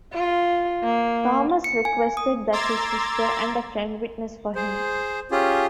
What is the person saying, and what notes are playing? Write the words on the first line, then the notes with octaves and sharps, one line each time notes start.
Thomas requested that his sister and a friend witness for him.
F4
A#3
C#7
G#5
D#6
A#5 C6 D6 E6 G#6 A6
G#4 C5
C#4 F4 G4 G#4